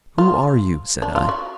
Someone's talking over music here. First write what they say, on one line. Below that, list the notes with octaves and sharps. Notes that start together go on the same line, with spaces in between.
"Who are you?" said I.
F4
D4
F4
F#4